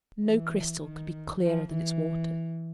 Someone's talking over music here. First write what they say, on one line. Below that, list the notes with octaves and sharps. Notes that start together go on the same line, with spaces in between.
No crystal could be clearer than its waters.
E3
D#3
F3
E3